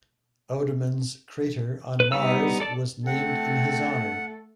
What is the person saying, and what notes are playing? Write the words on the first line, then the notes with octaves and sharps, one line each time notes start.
Oudemans crater on Mars was named in his honor.
B4
G3 B3 D#4 E6
A4 D5 A5
A3 C4 A4 F#5